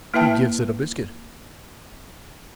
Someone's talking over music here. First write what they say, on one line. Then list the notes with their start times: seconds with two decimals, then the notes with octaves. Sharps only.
He give it a biscuit.
0.14 A#3 E4 B4 E5 G5 A5